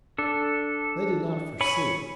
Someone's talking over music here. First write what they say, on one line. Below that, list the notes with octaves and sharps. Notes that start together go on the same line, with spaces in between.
They did not foresee....
D4 A4
C#5 G#5 B5